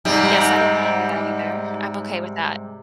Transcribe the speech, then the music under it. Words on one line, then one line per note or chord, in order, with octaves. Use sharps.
Yes, I don't wanna do that either. I'm okay with that.
G#2 C3 G3